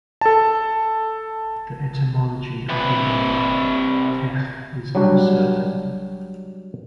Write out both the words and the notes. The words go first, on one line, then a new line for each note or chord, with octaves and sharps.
The etymology of the name "Teche" is uncertain.
A4 A5
C3 B4
F#3 G3 D4 F#4 G4